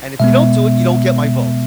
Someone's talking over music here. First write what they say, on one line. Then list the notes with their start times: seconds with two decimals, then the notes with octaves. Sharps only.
"And if you don't do it, you don't get my vote."
0.20 B2 G#3 B3 E5